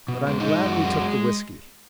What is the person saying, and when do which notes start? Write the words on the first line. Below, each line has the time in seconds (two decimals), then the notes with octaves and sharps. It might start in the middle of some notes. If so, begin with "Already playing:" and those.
But I'm glad we took the whisky.
0.08 B2
0.27 G#3
0.40 D#4
0.46 G#3
0.65 F#2 F#4
0.84 G#3